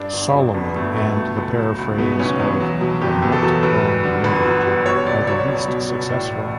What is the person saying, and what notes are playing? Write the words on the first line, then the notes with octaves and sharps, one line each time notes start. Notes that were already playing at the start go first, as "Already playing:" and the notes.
"Solomon", and the paraphrase of "The Nut-Brown Maid", are the least successful.
Already playing: G2 D4
G1
F#3
G1 B3
G2 A3
G1 A3
B2 A3
C#2
F#3
C#2
B2 B3
B3
C#2 C#4
E2 C#4
F#3
B2
F#1 G4
E2
A4
F#3
F#2 B4
G3
D3
G1 B4
F#2
G3
B2 C#5
C#2 D5
F#3 C#5
C#2
B2
C#2
A2 D5
A1